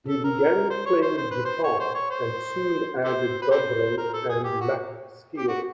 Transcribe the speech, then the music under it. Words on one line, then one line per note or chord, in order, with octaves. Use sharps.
He began playing guitar and soon added dobro and lap steel.
A4
A#4
C5
C#5
C5
C5
B4
C5
C#5
C5
C#5
C5
G4 A4 C5
B4
G4 A4 C5
A#4
A4
G#4
G4
F#4
G4
F#4